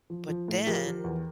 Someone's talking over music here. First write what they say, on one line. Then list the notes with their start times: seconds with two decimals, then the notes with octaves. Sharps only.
but then
0.10 F3
0.29 F3
0.48 A2
0.66 F3 G4 A#4
0.86 F3
1.04 E2